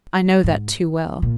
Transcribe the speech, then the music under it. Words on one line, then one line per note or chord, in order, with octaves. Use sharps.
I know that too well.
G#2
A#2